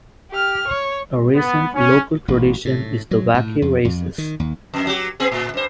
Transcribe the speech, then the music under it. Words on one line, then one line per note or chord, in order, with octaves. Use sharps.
A recent local tradition is the Wacky Races.
G4 F6
C#5
B3
C#4
A1
A2
F#3
A2
F2
F2
D#3
D#2
F2
F#3 G4
B3 C4 G#4
A2
G2 C5